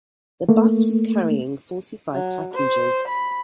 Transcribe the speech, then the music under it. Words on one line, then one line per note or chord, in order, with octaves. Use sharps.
The bus was carrying forty-five passengers.
A3 A#3
F#3
C5
B5